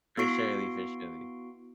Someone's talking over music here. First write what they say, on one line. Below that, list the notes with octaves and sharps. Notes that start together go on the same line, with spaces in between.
for surely, for surely.
B3 E4 F#4 C#6 C7 D7